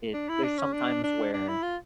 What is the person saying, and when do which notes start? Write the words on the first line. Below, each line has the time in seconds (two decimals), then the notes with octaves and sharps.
it there's sometimes where,
0.13 D4
0.29 E4
0.43 D4
0.59 C#4
0.73 D4
1.04 D4
1.34 D4
1.48 E4
1.63 F4